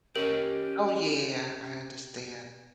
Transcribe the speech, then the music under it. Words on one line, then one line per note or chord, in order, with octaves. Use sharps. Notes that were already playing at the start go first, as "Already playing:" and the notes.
Oh, yeah. I understand.
C#4 G4 A#4 C#5 D#5